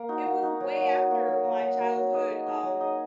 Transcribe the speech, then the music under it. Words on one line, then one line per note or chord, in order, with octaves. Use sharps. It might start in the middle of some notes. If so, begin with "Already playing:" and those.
it was way after my childhood, um,
Already playing: A#3
D#4 F#4
A#3
D#4 F#4
F#3
A#3 F#4
F#3
A#3 F#4
F#3
A#3 F#4
F#3
A#3 F#4
F#3
D#4 G#4 D#5
F#3
D#4 G#4 D#5
F#3
D#4 G#4 D#5